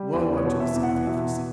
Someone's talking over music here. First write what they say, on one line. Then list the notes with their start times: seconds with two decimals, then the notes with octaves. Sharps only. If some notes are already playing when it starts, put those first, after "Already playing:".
Woe unto this unfaithful city!
Already playing: G3
0.13 E2 D5
0.37 C#5
0.45 B2
0.60 E5
0.76 E2
0.83 F#5
1.07 B2 E5